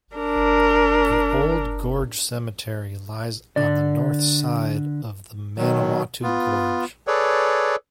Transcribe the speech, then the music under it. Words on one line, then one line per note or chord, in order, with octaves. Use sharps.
The Old Gorge Cemetery lies on the north side of the Manawatu Gorge.
D4 A#4
D3 D5
B2 D#3 F#3
B3 F4
G#4 A4 B4 C#5 D5